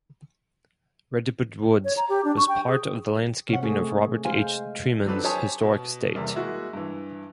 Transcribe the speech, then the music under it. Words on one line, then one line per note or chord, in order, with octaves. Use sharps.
Redbud Woods was part of the landscaping of Robert H. Treman's historic estate.
C#5
A#5
G4
D4
C#6
G5
G#4
C3 C4 C#4 F#5
A3 C#4 G#4
G#3 C5 F5 G#5
F3 F#3 C4 D4 A4 B4
G4 C5 C#5 G#5 A5 D#6
B2
E2 C3 G3 A#3
G#3 A#3 E4 F#4
G2 E3